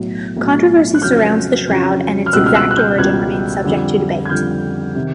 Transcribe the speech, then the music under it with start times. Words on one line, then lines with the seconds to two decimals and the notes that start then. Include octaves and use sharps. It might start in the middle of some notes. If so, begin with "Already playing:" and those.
Controversy surrounds the shroud and its exact origin remains subject to debate.
Already playing: B1 A2 F#3
0.36 B1 A2 F#3
0.94 F#6
1.02 F2 C#3 F#3 F6 G6
1.68 F2 C#3 F#3
2.26 F6
2.33 C#2 B2 G3 E6 F#6
2.46 F6
2.55 E6 F#6
2.71 F#6
2.77 F6 G6
2.98 C#2 B2 G3 F#6 G#6
3.64 F2 D3 G3
4.25 G#6
4.29 F2 D3 G3 F6 G6
4.95 C3 D#3